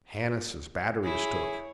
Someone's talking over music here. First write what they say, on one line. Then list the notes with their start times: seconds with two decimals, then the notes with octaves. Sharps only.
"Hannises' batt'ry is took."
1.04 E4 G#4 C#5